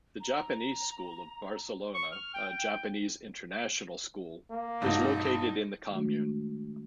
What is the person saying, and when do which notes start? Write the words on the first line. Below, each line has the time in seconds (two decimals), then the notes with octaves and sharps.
The Japanese School of Barcelona, a Japanese international school, is located in the commune.
0.20 A#5
1.94 C#6
2.12 F6
2.34 G5
2.47 G5
4.51 A#3
4.82 A1 G2 B2 D#4
5.89 D#3 G#3 A3 D4 F#4